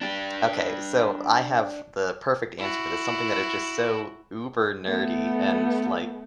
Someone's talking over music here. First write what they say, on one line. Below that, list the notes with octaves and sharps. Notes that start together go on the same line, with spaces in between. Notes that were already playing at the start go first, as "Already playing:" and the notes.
Okay, so I have the perfect answer for this, something that is just so uber nerdy and it's like,
D4 G4
E4 F#4
A3 B3